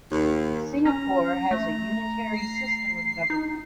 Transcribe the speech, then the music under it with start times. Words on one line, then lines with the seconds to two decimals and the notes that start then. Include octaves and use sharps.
Singapore has a unitary system of government.
0.11 D#2
0.85 C#4 A#5
1.51 A3
2.33 C7
3.30 D#4